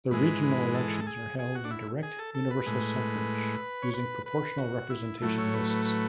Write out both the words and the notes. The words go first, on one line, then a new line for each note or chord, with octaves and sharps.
The regional elections are held in direct universal suffrage using proportional representation lists.
G#2 E3 G#3 B4
B4
A4
A4
G#4
G#4
F#4
D4
E4
G#4
A4
A4
B4
A2 G#3
C#5
B4
B4
F#4
E4
A2 F#3 A3 E4
C#5
B4
B4
B4